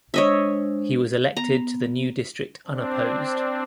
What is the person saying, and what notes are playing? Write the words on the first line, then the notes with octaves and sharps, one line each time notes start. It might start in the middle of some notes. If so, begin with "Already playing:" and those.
He was elected to the new district unopposed.
G#3 D4 C5 C#5 D#5 E5
B3 A#5
C4 D4